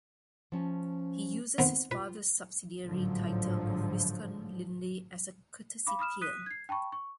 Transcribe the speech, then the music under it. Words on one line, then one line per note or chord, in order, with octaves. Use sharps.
He uses his father's subsidiary title of Viscount Linley as a courtesy peer.
F3 C#4 A5
D#3 B3 C4
F4 B4
A1 G#2 D3 F3 F#3
F5 B5 D6
B5 D#6 F6 E7
D#6 F#6 B6 D#7
G#6 C7
G5 A5 B5 C#6
C#6